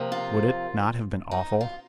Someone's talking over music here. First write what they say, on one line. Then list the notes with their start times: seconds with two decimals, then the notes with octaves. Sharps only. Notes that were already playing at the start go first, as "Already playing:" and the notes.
Would it not have been awful?
Already playing: C3 F3 A#3
0.12 F4
1.31 D#4
1.61 F4